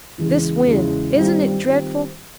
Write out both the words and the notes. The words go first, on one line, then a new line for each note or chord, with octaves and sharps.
This wind--isn't it dreadful?
E2 C#3 E3 G#3
E2 C#3 E3 G#3
G2 D#3 G3 C4 F4
D#3 G3 C4 F4